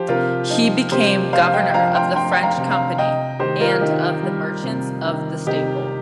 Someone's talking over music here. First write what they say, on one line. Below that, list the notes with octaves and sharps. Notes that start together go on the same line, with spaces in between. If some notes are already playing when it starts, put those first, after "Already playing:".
He became Governor of the French Company and of the Merchants of the Staple.
Already playing: F3 G4 C5
C3 F4 A#4
F3 D#4
C3 G4 C5
F3 C5 F5
F5
D#5 G5
G5
F3 F5 A#5
G5 C6
F3 G5 C6
G5
F5 A#5
C3
F5 A#5
C3 D#5 G5
D#3 G4 C5
F4 A#4
D#3 D#4 G4
G3
C3
D#3
C3 D#4 G4